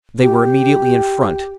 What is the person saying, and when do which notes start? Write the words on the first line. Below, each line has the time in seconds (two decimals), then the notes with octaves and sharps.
They were immediately in front.
0.21 G4